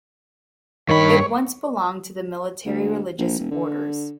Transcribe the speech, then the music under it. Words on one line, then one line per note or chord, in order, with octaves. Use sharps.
It once belonged to the military-religious orders.
G2 D#3 C#5 B5
D2
A#1
E1
D3